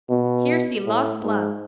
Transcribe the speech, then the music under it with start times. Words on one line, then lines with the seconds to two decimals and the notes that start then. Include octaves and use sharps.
Here see lost love.
0.10 B2
0.86 A2
1.23 G#2